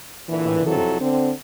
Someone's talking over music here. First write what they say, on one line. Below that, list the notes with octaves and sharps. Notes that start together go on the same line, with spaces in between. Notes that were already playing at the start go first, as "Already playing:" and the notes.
"By whom?"
A#2 D3 E3
F2 C3 F#3 E4 A4
D3 C4